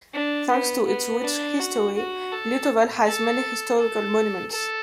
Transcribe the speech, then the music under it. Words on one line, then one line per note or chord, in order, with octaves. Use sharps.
Thanks to its rich history Litovel has many historical monuments.
D4
B3
B3
D4
F#4
F#4
A4
A4
A4
A4